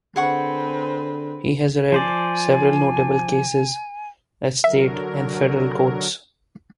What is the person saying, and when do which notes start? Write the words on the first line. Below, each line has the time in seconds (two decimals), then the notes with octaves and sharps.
He had led several notable cases at state and federal courts.
0.16 D3 C4 G#4 B4 C5 F#5 C#6
1.92 F3 C5 D5 G#5
4.64 D3 F#3 A#4 E5